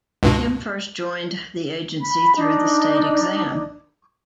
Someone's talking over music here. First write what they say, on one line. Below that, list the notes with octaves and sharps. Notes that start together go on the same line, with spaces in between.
Kim first joined the agency through the state exam.
C#2 G2 B2
B5
D4 D#4